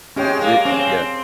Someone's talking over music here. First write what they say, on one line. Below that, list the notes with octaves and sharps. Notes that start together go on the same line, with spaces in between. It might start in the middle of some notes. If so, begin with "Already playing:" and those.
Ye yeah.
G#3 C#4 G4 C#5 G5
A#3
C4 C#4